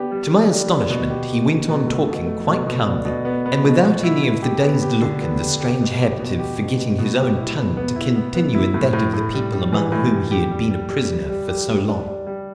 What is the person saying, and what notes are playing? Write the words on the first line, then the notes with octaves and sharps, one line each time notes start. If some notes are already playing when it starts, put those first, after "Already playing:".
To my astonishment he went on talking quite calmly, and without any of the dazed look and the strange habit of forgetting his own tongue to continue in that of the people among whom he had been a prisoner for so long.
Already playing: B3 D4 G4
G3
D4
G4
D4
B2
G4
G4
B2
B2
A3
B2
A3
B2
B2
D4
B2
B3
B3
B2
B2
E4
E4
G4
B3
G4
D3
B3
G4
G4
B2
G4
B2
G4
B2
B2
B2
G4
E4
B3
B3
E4
B3
B3
E4
A2
A2
A2
G3
G3
E3
A2
G3
G4
G3
G3
G3
G3
G3
G4
G3
D4
G3
G3